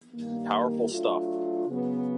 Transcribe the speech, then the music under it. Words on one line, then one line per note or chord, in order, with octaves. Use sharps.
Powerful stuff.
G2 D#3 G3 A#3
F#3 A3 D4 F4
C#3 F#3 B3